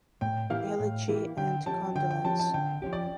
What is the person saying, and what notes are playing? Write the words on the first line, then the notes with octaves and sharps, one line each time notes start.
Elegy and condolence.
A2 G5
E3 A#3 E4 G4 F5
A2
E3 A#3 E4 G4
D3 G5
F3 C#4 G4 A5
D3 G5
G5
F3 C#4 G4 A5
A5
D3 G5
F3 C#4 G4
D5